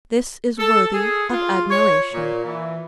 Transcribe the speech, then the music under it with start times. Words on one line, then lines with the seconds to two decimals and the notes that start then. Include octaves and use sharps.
This is worthy of admiration.
0.59 A4
0.93 G#4
1.30 F4
1.70 C#5
2.12 A#2
2.45 E3